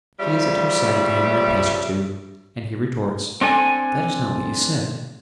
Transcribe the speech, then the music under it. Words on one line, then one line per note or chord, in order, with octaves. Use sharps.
He is at her side again in a pace or two, and he retorts, 'That is not what you said.
F2 C#3 G3 E5
C4 D4 A4 G#5